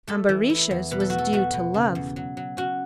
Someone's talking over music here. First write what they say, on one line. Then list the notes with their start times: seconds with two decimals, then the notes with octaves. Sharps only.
Ambarisha's was due to love.
0.07 A3 A4
0.29 E3
0.50 E4
0.71 E2
0.91 B2 B4
1.00 A4
1.10 A3 F#4
1.18 A4
1.33 A3 F#4
1.53 B2
1.74 C#3
1.95 E2
2.16 F#3
2.37 F#3
2.57 C#4 F#4